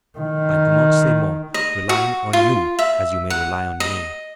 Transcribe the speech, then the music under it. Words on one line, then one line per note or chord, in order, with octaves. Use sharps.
I do not say more, relying on you as you may rely on me.
D#3
D#5
F#4
F4
E5
F#5
D#5